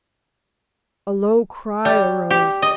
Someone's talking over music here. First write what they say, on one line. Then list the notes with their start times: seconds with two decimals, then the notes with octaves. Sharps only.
A low cry arose.
1.85 G3
2.30 G4
2.62 D#5